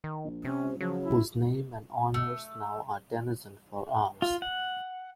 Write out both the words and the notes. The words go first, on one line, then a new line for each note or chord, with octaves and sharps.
Whose name and honours now are denizened for ours.
D#3
A#1
C3 C#4
C#2
C#3 F3 F#3
E4
A3
F4
F#5